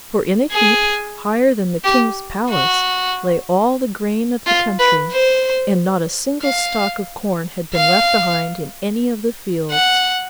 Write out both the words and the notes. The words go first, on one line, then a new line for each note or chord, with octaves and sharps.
For in a heap higher than the King's palace lay all the grain of the country, and not a single stalk of corn had been left behind in any of the fields.
G#4
G4
F#4
F4
B4
C5
F5
F5
F#5